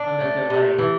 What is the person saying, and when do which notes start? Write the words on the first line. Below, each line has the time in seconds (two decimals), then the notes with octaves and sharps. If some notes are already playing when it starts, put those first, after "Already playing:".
on the delay.
Already playing: D4
0.21 A3
0.50 C3
0.79 E3